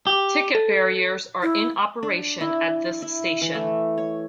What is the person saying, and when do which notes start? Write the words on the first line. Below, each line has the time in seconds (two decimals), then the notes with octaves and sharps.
Ticket barriers are in operation at this station.
0.07 G4
0.55 A4
1.42 E4
2.03 D4
2.41 E4
3.02 E4
3.41 E3
3.55 A3
3.98 C#5